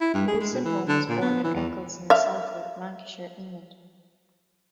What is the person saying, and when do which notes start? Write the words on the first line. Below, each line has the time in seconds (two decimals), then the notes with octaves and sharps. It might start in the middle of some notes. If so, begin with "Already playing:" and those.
Wolstenholme was born in Eccles near Salford, Lancashire, England.
0.01 E4
0.14 G2
0.28 G#4
0.41 G#3
0.53 B2
0.65 E3
0.88 D3
1.09 A#2
1.21 B3
1.44 E3
1.55 E2
2.10 E5 F5